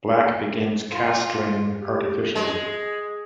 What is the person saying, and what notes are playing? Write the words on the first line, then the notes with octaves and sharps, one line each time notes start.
Black begins castling artificially.
F4
G4
G#3